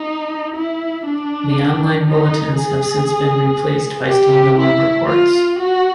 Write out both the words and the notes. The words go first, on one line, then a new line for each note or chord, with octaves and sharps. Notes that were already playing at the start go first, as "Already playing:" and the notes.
The online bulletins have since been replaced by stand-alone reports.
Already playing: D#4
E4
D4
D#4
G#4
G4
E4
F4
F#4